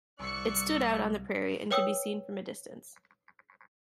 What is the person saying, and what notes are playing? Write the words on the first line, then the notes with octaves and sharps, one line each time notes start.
It stood out on the prairie and could be seen from a distance.
C2 D5 C#6 E6 F#6 C#7
B4 C#5 G5 D#6 E6